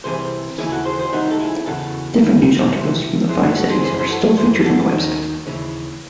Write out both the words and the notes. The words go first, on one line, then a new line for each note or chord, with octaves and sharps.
Different news articles from the five cities are still featured on the website.
C2 C3 E3 G#4 C5
D#2 C#3 E3 E4 G#4
F#4 A4
G#4 C5
G#4 C5
C2 C3 D#3 D#4 F#4
A4
E4 G#4
E2 C#3 E3 F#4 A4
E2 D#3
C2 C3 E3
F#2 E3 G#4 C5
F#4 A4
F#4 A4
G#4 C5
F#2 E3 G#4 C5
C5
F#4 A4
F#2 E3 G#4 C5
F#4 A4
D#2 D#3
D#2 C#3 E3